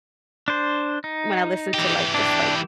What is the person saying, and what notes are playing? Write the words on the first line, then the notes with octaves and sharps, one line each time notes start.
when I listen to, like, just, like,
D4 C5
D#4
E3 G4
D4